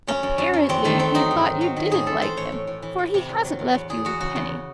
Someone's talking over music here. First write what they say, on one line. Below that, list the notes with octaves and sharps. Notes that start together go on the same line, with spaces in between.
Apparently he thought you didn't like him, for he hasn't left you a penny.
F#2 C#4
F#2
F#2
F#2
E2 C4
D#3 A3
E2 C4
F#3 D#4
G#2
D#3
F#3
D#3
A2 G#4
A2 A4
E3 C5
A2 C#5
A2
A2
E3
E3
C3
E2
F#3
E2
E2
E2 G#4
E2 F#4
C#3 F#4
E2